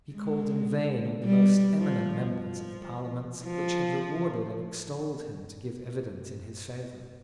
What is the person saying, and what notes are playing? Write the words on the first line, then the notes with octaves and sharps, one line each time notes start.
He called in vain on the most eminent members of the Parliaments which had rewarded and extolled him to give evidence in his favour.
G#3
G3
F3
F3
F3